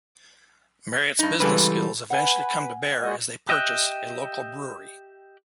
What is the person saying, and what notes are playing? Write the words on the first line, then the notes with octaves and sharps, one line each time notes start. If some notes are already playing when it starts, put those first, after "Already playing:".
Mariette's business skills eventual come to bear as they purchase a local brewery.
G2 D#4
C#3 E3 G3 G#3 A4 B4
B4 F#5 G#5
G#3 F#4 D#5
G4 D#5 E5 G5 F#6